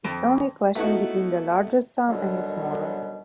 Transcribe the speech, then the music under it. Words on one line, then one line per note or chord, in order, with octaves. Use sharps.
It's only a question between the larger sum and the smaller.
F2
A3 B3 D#4 E4 F#4
F#2 B2 D3 D#3 F#3 G3